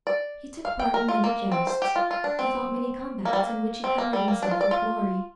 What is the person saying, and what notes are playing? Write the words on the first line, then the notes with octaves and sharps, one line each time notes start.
He took part in many justs; he fought many combats, in which he covered himself with glory.
D5
F5
G5
A#4
F4
A#3
C4
C5
G4
F4
F4
D4
C4
A#3
G3
A#3
C4
A#3
G3
A#3
D4
F4
D5
F4